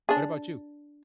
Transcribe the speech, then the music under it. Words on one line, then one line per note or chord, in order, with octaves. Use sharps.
What about you?
D4 G#4